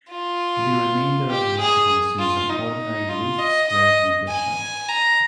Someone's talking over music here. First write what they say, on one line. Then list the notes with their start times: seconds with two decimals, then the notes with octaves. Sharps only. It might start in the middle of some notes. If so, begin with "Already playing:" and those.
The remainder of the article assumes an ordinary least squares regression.
0.11 F4
1.31 G4
1.60 G#4
2.20 F4
2.50 D#4
3.09 F4
3.39 D#5
3.69 D#5
4.29 G#5
4.89 A#5